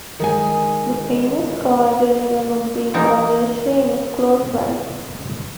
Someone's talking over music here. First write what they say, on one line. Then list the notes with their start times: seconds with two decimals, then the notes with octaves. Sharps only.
The famous Khawaja Nizamuddin Aulia shrine is close by.
0.20 D#3 G#3 G#5
2.94 E3 A#3 D#4